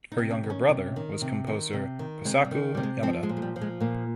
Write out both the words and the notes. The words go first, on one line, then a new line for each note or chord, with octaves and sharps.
Her younger brother was composer Kosaku Yamada.
D#4
C3
C#4
D#3
C#4
C3
D#3
C3
D#3
C3
D#3
C3 G#3
G3
D#3
C3 G3
G#3
F3 C4
G#3
A#2
G#3
G3
F3
G#3
A#2 A#3